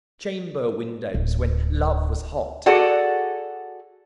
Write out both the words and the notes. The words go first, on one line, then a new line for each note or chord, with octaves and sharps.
Chamber-windows when Love was hot?
D1
F#4 G#4 A4 D5 F#5